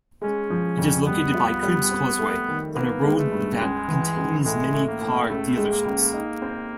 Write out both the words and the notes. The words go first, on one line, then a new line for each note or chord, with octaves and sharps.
It is located by Cribbs Causeway, on a road that contains many car dealerships.
G#3 C#4
F3
F2
G3 B3
F4
G3
C4
A3
D#3
A#3 B3
G#3
A3
G2
C#2 G#3
E3
C#2
A2 G#3
A3
A#3
A2
C#2 A3
G#3
A#3
C#2
D#4
C4